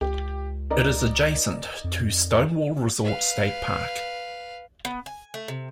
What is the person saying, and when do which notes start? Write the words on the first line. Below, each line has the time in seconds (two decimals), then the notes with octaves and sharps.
It is adjacent to Stonewall Resort State Park.
0.01 C#2 G4
0.70 D#4 A#4 D5
1.84 F2
3.02 B4 F5
4.85 B3
5.06 G#5
5.34 A3
5.48 C3